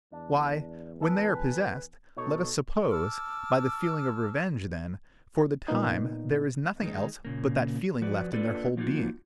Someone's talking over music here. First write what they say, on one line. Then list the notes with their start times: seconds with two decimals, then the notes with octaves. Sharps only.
Why, when they are possessed, let us suppose, by the feeling of revenge, then for the time there is nothing else but that feeling left in their whole being.
0.12 E2 D4
1.00 G#4 A4 B4
2.17 B2 D#4 A4 C#5
2.90 A5 D6 E6 F6
5.68 A#2 B3 D#4
6.82 D#3 G#3 D#4
7.25 A#2 C#3 A#3
8.01 F3 F#4 B4 D5
8.33 A#3 D4 F4 A4 B4 D5
8.77 F3 F#3 A#3 D#4 F4 F#4